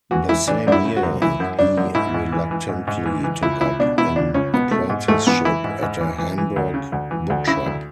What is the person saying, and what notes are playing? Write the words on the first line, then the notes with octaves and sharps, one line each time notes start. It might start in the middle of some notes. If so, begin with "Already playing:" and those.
The same year he reluctantly took up an apprenticeship at a Hamburg bookshop.
E3 F#4
E3 E4
E3 D4
F#2 D4
E4
C#3
F#4
F#2
E3 E4
F#2
C#3 D4
F#2
G#2 E4
G#2
E3
E3
G#2
G#2
E3
E3
C#2 E4
C#2 E4
B2 D4
B2 E4
C#2 D4
C#2 C#4
B2 B3
B2 A3
G#2
G#2 A3
E3 B3
E3 E4
G#2
G#2
E3
E3
E3
D2
C#3
D2
E3
D2
C#3 E4
D2